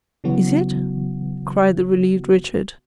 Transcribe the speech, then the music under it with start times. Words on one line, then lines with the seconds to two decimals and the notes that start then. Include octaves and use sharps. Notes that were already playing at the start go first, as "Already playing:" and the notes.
"Is it?" cried the relieved Richard.
0.24 C#3 E3 F#3 B3 F#4